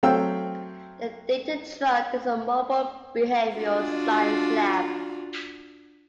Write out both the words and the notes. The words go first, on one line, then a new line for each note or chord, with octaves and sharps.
The Data Truck is a mobile behavioral science lab.
F#3 A3 C4 F5 G5 E6
D4 F4 F#4